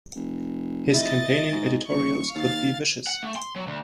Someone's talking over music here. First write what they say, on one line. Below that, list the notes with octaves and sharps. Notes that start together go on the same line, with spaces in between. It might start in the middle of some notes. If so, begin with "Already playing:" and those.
His campaigning editorials could be vicious.
F1
E4 D#5 A6
G#2
D#1 C#6
D#2 F5 A6
F#5
A3
C6
F#3
D2